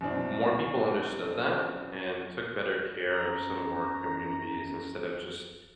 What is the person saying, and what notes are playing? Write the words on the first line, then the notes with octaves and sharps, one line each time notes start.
more people understood that, and took better care of some of our communities instead of just
F#2 B2 C4 D4 E4
F#2 A#5